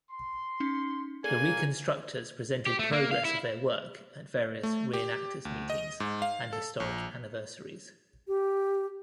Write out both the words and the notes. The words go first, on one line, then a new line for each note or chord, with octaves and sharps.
The reconstructors presented progress of their work at various reenactors' meetings and historic anniversaries.
C6
C#4 D#4
A#3 G#4 A4 D5 G#5
G4
A3
A#3
F5
E4
A3
G4
D2
D#5
G#2
F5
A4
A#1
G4